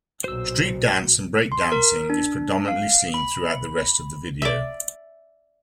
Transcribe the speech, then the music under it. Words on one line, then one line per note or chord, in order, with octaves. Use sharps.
Street dance and breakdancing is predominately seen throughout the rest of the video.
B1 A#2 F#4 C5 E6
C6
A#4
D4
F5
B5
D5 E5